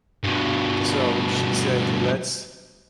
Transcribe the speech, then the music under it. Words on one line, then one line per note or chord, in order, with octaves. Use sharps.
So she said, "Lets"
G2 B2